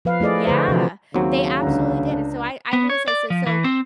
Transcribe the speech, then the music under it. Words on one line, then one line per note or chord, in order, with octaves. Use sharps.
Yeah, they absolutely did, and so I I literally said, "So so
F3 B4 F5
A3 E4 G#4 D5 D#5
D3 A3 B4 C5
C3 E3 F3 F#4
D#2 C#3 F#3 C4
C#2 D3 A#5
D4
B3
C#5
D5
F3
E3
C4